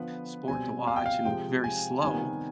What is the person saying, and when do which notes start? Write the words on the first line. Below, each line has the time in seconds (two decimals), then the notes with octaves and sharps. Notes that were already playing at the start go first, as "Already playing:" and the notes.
sport to watch and very slow.
Already playing: D3 F3 B3 B4
0.48 B2 G3 C4 G#5
0.87 F5
0.96 G5
1.06 F5
1.25 C3 F3 G#3 G5
1.64 G#5
2.02 C3 D#3 G3 B3 G#5